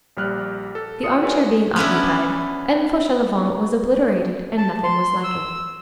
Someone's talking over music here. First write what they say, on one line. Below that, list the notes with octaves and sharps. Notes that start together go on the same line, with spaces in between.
The arm-chair being occupied, M. Fauchelevent was obliterated; and nothing was lacking.
A#1 G3 F6 F#6
A4
F4 D#6 C#7
F#4 G#4 B4 C#5 D5 G#5
B3 C#4 D4 E4
A5
C6
E6